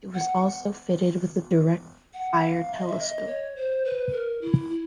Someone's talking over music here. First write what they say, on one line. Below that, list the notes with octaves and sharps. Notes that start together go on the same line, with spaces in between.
It was also fitted with a direct fire telescope.
F#5
F#5
F5
E5
D#5
E5
D#5
C#5
C5
B4
A#4
E4
E4